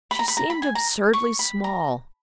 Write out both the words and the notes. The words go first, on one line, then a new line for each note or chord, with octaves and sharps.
She seemed absurdly small.
B5
A#5
B5
A#5
B5
G#5
A#5
C#6
B5
A#5